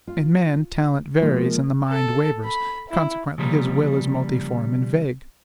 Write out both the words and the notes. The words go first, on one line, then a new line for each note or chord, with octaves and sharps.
In man, talent varies, and the mind wavers; consequently, his will is multiform and vague.
F4
A#2 F3 G#3 A#3
A4
B5
E4
C#3 F3 G3 A#3